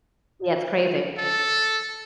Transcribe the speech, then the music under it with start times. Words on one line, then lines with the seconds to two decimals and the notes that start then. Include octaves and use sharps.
Yeah, it's crazy.
1.17 A4